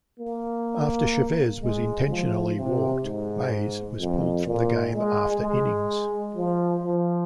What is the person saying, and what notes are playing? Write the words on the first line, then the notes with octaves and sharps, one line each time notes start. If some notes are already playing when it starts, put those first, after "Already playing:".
After Chavez was intentionally walked, Mays was pulled from the game after innings.
A#3
G#3
F3
C3
G#2
F2
A#2
G#3
G#3
F3
F3